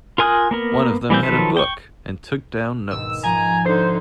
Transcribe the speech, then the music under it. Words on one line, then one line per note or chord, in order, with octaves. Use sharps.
One of them had a book, and took down notes.
F4 A#4 G#5 D#6 F#6
A#3 B3 A#4
E3 G3 A#3 C4 G6
D#3 F3 F#3 A4 B4
G5 C#6
D#2 G#2 B2 E6
G#2 F3 G#5 A#5
D3 D#4 C5